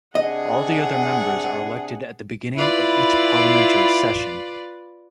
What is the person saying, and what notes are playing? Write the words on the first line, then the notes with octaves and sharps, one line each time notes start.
All the other members are elected at the beginning of each parliamentary session.
C3 D4 G#4 D#5 F#5
E4 F4 B4 D5